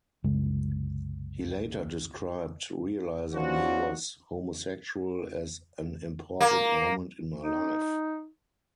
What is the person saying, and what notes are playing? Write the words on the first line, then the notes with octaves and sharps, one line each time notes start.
He later described realising he was homosexual as "an important moment in my life".
C2 F#2 C#3 G#3
E3 F3 C#4 D4 F#4
A#3
D#4